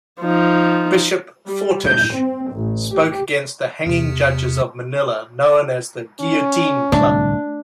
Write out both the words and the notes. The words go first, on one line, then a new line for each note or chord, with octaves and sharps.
Bishop Fortich spoke against the hanging judges of Manila known as the Guillotine Club.
F3 D#4
G3
G6
C4
A1
G4
E2 C3
C#4
D1 C2 A3 D4